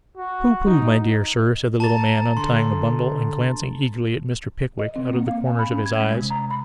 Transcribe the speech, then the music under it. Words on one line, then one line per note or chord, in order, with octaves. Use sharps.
'Pooh, pooh, my dear Sir,' said the little man, untying the bundle, and glancing eagerly at Mr. Pickwick out of the corners of his eyes.
F#4
D#4
A5 A#5 A6
D3 C6
D#5
C4
A#3
F5
G#5
B5
C#4
G#6
G#3
C3
A#5
B5